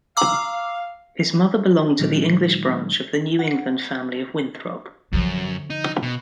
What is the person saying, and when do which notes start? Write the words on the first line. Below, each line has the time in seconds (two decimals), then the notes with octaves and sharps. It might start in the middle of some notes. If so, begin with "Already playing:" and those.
His mother belonged to the English branch of the New England family of Winthrop.
0.17 F5 A#5 D6 E6
2.00 A#2 D#3 F#3 G#3 D#4
3.39 F#5
5.13 F#2 D3 F3
5.70 D#4
6.03 B2